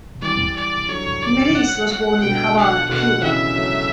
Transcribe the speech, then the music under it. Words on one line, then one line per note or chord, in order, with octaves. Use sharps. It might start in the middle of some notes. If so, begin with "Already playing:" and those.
Melis was born in Havana, Cuba.
E3 G3 D5
D5
D3 F#3 C#5
D5
F#5
F#5
B2 D3 G5
F#5
B2 D3 F#5
C#3 E3 E5
F#3 A3